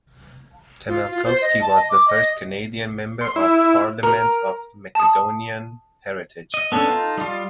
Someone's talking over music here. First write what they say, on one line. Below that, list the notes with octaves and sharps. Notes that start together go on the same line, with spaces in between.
Temelkovski was the first Canadian Member of Parliament of Macedonian heritage.
F4
F4
C5
D#5
A5
D#5
D6
D#5
C6
E4
A#4
A5 D#6
D#5
B3 C#4 D4 A4
D#4 F4
G3 F4 D#5